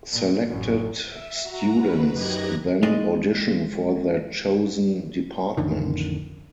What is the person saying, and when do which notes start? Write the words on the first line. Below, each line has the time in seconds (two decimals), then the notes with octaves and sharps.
Selected students then audition for their chosen department.
0.11 A#2
0.47 A1 F#2
1.10 E5
1.43 F#4 A#5
1.76 B4
2.11 F#2 D#4 G4 F#6 G#6 A#6
2.83 G#3 D#4 D5 D#5
5.57 A1 F2 D3 D#3